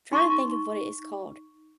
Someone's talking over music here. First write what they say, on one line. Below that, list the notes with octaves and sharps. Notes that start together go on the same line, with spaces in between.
trying to think of what it is called.
D#4 C6 C#6